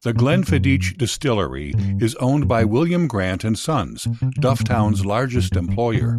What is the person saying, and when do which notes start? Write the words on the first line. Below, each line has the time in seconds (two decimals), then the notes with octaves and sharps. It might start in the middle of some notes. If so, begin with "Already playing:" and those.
The Glenfiddich distillery is owned by William Grant and Sons, Dufftown's largest employer.
0.16 A#2
0.32 C3
0.48 F#2
1.73 A2
1.78 G2
2.43 F#2
2.59 G2
4.06 A#2
4.22 C3
4.38 D3
4.49 A#2
4.60 A2
4.71 G2
4.78 A2
4.86 G2
5.36 F#2
5.52 F#2
5.68 G2
5.95 C3
6.01 A#2